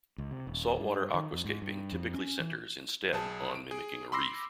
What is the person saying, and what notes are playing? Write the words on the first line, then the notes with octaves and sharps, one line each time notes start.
Saltwater aquascaping typically centers, instead, on mimicking a reef.
C#2
C3
D#1
G2
D#3
F2
G#2
G2
F2
C#4
E3
B1 G#4 A5
D7
G#4
B5 C6 D6 E6 A#6 C7